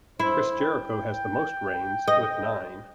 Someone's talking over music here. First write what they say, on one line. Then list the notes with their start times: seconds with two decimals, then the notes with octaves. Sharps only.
Chris Jericho has the most reigns with nine.
0.20 E4 C5
0.57 G5
2.08 D#5